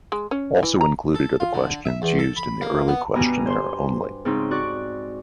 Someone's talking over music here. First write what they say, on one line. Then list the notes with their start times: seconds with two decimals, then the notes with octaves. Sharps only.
Also included are the questions used in the early questionnaire only.
0.12 G#3
0.31 C#4
0.63 E3
0.81 A#5
1.15 A4
1.40 F4
1.54 D3
1.85 E5
2.02 E2
2.19 A4
2.36 B5
2.62 A#3
2.88 B3
3.15 G2 B2 B3 G#5 A#5
3.47 C5 C6
4.25 G#2 C#3 C4 D#4
4.51 F#4 D5 C#6 D6 F#6